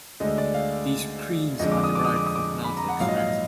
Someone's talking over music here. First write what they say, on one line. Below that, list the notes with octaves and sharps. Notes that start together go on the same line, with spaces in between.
These creams are derived from plant extract.
D2 D3 G#3 D#5
D5
F5
F2 D3 G#3 D#5
D6
D#6
D6
D#6
D6
D#6
D6
B5
A#5
F#5
A#1 G#2 F#3 F5
D#5
F5
D#5